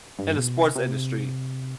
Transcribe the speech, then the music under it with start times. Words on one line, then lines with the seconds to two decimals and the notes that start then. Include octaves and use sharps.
in the sports industry.
0.19 G2
0.37 B2
0.57 C3
0.76 C3